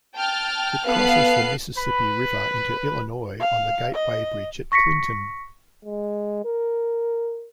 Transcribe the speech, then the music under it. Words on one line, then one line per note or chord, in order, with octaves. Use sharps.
It crosses the Mississippi River into Illinois on the Gateway Bridge at Clinton.
G5 A5 F6 A6
B3 A4 B4 F5 F#6 C7
B4 B5
F5
D#5
C#6 A#6 B6 C#7
G#3
A#4